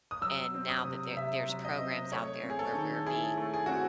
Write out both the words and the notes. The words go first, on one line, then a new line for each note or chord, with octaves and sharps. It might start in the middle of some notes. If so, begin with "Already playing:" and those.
And now that there there's programs out there where we're being
D#6
F#3 E6
C4
D#6
C3
C3 E5
F#3
D#5
C4
A3 C#5
C4
G#4
A4
D#3
E4 G#4
A3
G#4
C4 F#4